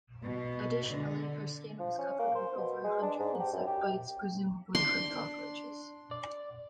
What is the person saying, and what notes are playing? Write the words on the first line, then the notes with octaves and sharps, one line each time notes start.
Additionally, her skin was covered with over a hundred insect bites, presumably from cockroaches.
B2
D3
F3
C#4
A#3
C5
B2
G#3
D4
G#2
G4
F#2
G4
D4 C6
D5